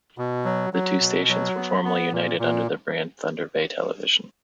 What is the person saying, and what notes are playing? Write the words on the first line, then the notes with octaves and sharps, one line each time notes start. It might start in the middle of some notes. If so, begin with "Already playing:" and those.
The two stations were formerly united under the brand Thunder Bay Television.
B2
F#3
F#3
B2
F#3
B3
B3
A#2
A#2